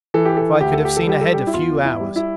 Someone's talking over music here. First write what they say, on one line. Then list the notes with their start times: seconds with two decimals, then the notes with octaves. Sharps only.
If I could have seen ahead a few hours!
0.14 E3 A4
0.25 G4
0.37 A4
0.60 D2 G4
0.72 A4
0.85 G4
0.97 A4
1.07 G3 G4
1.21 A4
1.33 G4
1.47 E4
1.54 E2 F4
1.85 E4
2.00 G3
2.16 E4